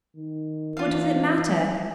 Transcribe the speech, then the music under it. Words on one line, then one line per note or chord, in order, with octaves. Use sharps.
What does it matter?
D#3
E3 F4 F5